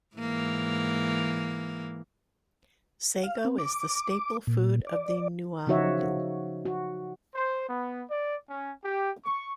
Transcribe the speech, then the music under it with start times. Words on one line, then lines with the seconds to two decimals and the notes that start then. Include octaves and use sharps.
Sago is the staple food of the Nuaulu.
0.16 G#2 E3 A#3
3.23 F5
3.45 C4
3.58 D6
4.47 A#2
4.87 D5
5.67 C#3 F3 D#4 F#4 C#5 E5
6.65 F#4
7.35 C5
7.68 B3
8.09 D5
8.49 C#4
8.84 G4
9.25 C#6